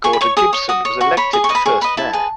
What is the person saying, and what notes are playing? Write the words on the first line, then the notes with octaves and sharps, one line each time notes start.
Gordon Gibson was elected the first mayor.
G#4 C#6
B5
C#5 C#6
G#4 D#6
C#5
F#4 D#6
C#5
F#4 C#6
C#5 B5
G#4 D#6
C#6
B4 D#5
B5
G#4 C#6
B4 D#5 B5
E4 A5
G#4 B4